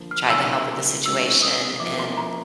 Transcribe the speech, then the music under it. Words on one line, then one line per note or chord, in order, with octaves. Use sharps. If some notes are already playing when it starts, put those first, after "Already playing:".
tried to help with the situation, and
Already playing: D3 F3 A#3
F6
C#3 F#3 A#3 D#4 E6
D#3 G#3 C#4 F#4 E6
E6
D#6
F3 A#3 C#4 E4 D6
C6
A#5